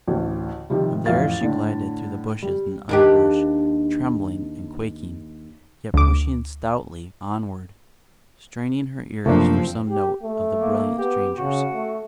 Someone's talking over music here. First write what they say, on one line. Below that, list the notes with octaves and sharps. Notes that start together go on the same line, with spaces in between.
From there she glided through the bushes and underbrush, trembling and quaking, yet pushing stoutly onward, straining her ears for some note of the brilliant stranger's.
A1 D2
C3 D#3 F3 G3
A1 F2 F5 A6
A2 D3
G3
D#2 D4 G4
D2 D6
F#2 C3 F3 A3 A#3 C4 D4
G4
A3
A#3
B3 G4
C#3 F#4
A3